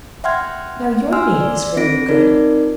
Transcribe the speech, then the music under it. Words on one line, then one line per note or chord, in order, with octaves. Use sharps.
Now, your name is fairly good.
E5 F#5 G5 C6 F6 G#6
G#5 C6 E6 F6
D5
C4 F4 A#6 D7
C4 D#4 F4 A#4 D5